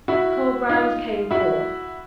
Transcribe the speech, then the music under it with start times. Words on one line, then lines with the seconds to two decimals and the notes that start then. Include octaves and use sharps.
Colbrand came forth.
0.08 E4 F#4
0.69 D#4 F4
1.31 E4 F#4